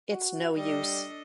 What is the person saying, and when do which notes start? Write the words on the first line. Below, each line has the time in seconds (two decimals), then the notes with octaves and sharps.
It’s no use.
0.11 F#4
0.56 G3 D4 A4 D#5